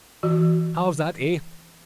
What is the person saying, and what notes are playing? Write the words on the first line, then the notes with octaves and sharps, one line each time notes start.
How's that, eh?
E3 F#4